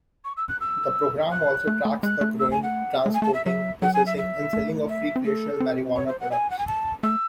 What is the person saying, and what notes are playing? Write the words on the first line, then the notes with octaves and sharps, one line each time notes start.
The program also tracks the growing, transporting, processing and selling of recreational marijuana products.
C#6
E6
F#6
E6
F#6
A3
A3
G#3 F#6
A3
E6
G#5
F#5
G#3
A3
G#5
A3 A5
E5
F#3 E5
F#3 F#5
G#5
E5
E5
A3
E5
C4
A3 A4
C4
C#5
C5
F#5
G#5
F#5
G#5
A5
A3 E6